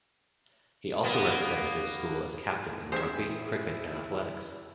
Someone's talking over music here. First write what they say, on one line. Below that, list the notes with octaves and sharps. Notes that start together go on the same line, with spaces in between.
He also represented his school as captain in Rugby, Cricket and Athletics.
A#3 B3
A1 G2 E4 G#4 C5 E5 G5